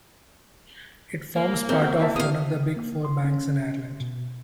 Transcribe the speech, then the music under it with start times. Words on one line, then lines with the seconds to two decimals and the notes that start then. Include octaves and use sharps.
It forms part of one of the Big Four banks in Ireland.
1.36 A#3
1.69 C4 G#4 A#4 E5
1.81 F#4
1.99 E4 E5 A5
2.16 C3 F5 D#6
2.76 A#3
3.05 C6
3.24 C#4
4.00 B2